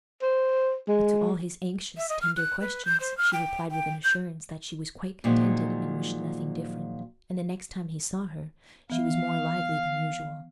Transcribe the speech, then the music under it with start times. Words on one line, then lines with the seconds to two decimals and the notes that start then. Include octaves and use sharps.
But to all his anxious, tender questions, she replied with an assurance that she was quite contented and wished nothing different; and the next time he saw her she was more lively than usual.
0.22 C5
0.88 G#3
1.97 E5
2.09 D#5
2.21 F6
2.37 F#6
2.60 B4
2.85 G6
3.00 C5
3.17 F6
3.33 G5
3.71 G5
4.04 G6
5.24 A#2 D#3 F3 F#3 G#3
8.90 E3 B3 F5